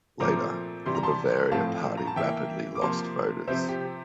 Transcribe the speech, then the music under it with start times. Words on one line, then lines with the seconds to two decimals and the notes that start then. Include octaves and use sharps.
Later, the Bavaria Party rapidly lost voters.
0.20 A#2 F3 A3 C4 A#5 D6
0.86 C3 E3 G3 C6
0.95 A#5
1.03 A5 C6
1.51 A2 F3 A3 C4 F5 A5
1.97 A#5
2.07 A5
2.16 E3 A#3 E5 G5
2.75 D6
2.81 C3 F3 A#3 A5 C6
3.48 C3 F3 C4 C5 E5
3.69 G4